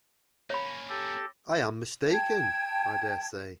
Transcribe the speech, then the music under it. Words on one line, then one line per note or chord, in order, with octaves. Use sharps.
I am mistaken, I dare say.
A#3 C#4 C#5 B5
G4 A4
G5 A5 G#6